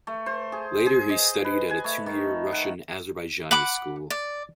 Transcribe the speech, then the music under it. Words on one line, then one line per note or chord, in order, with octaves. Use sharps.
Later he studied at a two-year Russian-Azerbaijani school.
A3
C5
G#4
G#4
D#5
B4
G#5
A3
D#3
F#5
F#5 B5 D6
D5